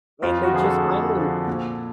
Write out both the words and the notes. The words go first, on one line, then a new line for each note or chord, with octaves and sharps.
And they just finally
F2 F4
F#4
D3 F3 G#4
A4
F2
D3 F3
A#2